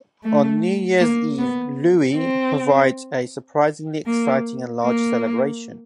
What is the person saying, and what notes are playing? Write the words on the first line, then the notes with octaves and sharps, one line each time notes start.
On New Year's Eve, Looe provides a surprisingly exciting and large celebration.
A3
A#3
B3
C4
A#3
A#3